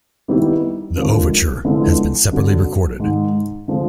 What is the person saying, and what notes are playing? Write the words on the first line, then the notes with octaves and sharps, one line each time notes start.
The overture has been separately recorded.
D#3 G3 B3 E4 G4
D#2 D3 F3 G#3
D3 F3 G#3 B3 E4
G2 D3 F#3
G#2 D#3 G#3
D3 F3 G#3